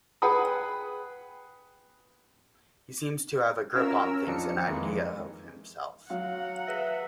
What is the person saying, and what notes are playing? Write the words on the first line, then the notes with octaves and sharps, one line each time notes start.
He seems to have a grip on things, an idea of himself.
G#4 B4 F#5 G5 B5 D#6
C#4 F4 F#4 A#4 E5 E6
F2 D4 D#4 C#7
F2 D#3 E3 G#3 A#3
F#3 F5 F#5 A#5
G#4 B4 E5 A#6